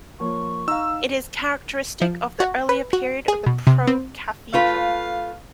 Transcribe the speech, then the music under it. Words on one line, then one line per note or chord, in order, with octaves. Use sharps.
It is characteristic of the earlier period of the Pro-Cathedral.
F3 A#3 C#5 C#6
D#4 F5 A#5 E6
F3
F#4
B4
F#4
G#4
B2
C3
C4
A3 F4 B4 F5